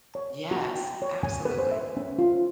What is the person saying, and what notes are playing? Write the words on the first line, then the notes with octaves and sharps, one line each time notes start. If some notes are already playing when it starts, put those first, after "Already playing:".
Yes, absolutely.
C#5
F#4
G5
C#5
G#5
B4
C5
E5
C#4
F4